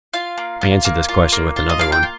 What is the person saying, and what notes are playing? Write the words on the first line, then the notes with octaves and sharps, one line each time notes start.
I answered this question with another one.
F4 F5
A#3
F4
A#3
F4
A#3
F4
D#5
A#3 F5
G5
F4